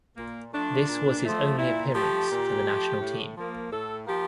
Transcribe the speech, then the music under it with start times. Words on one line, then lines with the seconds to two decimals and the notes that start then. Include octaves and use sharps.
This was his only appearance for the national team.
0.17 A#2 A#3
0.53 F3 A3 D4
0.89 A#2
1.24 F3 A3
1.58 A#2 E4
1.94 F3 A3 G4
2.30 A#2
2.65 F3 A3
3.01 A2
3.37 F3 A#3
3.71 A2 A4
4.07 F3 A#3 G4